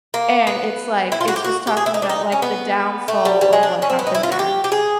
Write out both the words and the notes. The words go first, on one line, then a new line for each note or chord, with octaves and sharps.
And it's, like it's just talking about, like, the downfall of what happened there.
A#3
B3
E4
F4
F#4
G4
F#4
G4
G#4
E4
D#4
D4
D#4
C#4
B3
A3
G3
G3
G#3
D4
C#4
C4
B3
D#4
E4
F4
F#4
G4
G4
G#4